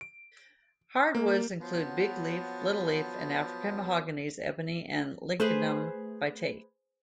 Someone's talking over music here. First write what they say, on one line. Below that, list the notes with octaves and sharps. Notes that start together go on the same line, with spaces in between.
Hardwoods include big-leaf, little-leaf, and African mahoganies, ebony and lignum vitae.
D7
A#3
F3 F#3 B3
A3 G#4 B4 C5